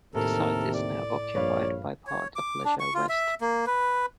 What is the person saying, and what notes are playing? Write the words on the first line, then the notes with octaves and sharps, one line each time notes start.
The site is now occupied by part of Leisure West.
D#2 A2 C3 A4 A#4
D5
A#1 G2 B4 C#5 F5
C#5
D6
D4
C#6
F4
E5
A#3
B4